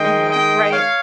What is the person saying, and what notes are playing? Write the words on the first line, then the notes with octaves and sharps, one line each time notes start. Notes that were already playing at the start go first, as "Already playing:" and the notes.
Mhm. Right.
Already playing: D#3 G#3 D#5 G5
D#5 G5
C#5 F5